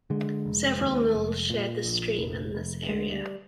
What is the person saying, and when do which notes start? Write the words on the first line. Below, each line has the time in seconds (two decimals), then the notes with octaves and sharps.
Several mills shared the stream in this area.
0.10 D3 G#3
0.46 F1
0.80 D#2
1.15 F1
1.50 A#2
1.84 A#1
2.19 F1
2.55 F1
2.89 D2 G#3
3.12 G3